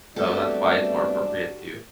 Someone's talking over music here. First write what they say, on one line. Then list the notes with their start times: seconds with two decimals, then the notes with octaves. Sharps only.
So, that's why it's more appropriate to
0.16 G3 A3 B3 C4 D4 F#4 G4 A4